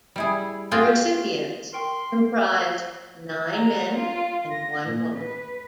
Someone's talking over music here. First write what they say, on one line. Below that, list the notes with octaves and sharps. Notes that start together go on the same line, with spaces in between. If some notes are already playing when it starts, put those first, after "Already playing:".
The recipients comprised nine men and one woman.
G3 E4 G#4
C4 F4 F#4 G#4 G5
A#4 G5 C6 C#6
A#5
F4
A#6
A#2
B4